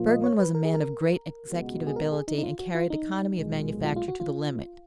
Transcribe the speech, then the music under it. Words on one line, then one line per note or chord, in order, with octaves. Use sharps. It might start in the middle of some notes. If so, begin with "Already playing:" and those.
Bergmann was a man of great executive ability and carried economy of manufacture to the limit.
Already playing: A#2 F3 A#3 F4
D#5
C#5
B4
A#4
G#4
A#4
C#2 B2 G#3 B3 F#4
G#4
A#4
G#4
D#4
D#4
F4
F#4
F4
D#4
B1 A#2 G#3
F4
F4
F#4
F4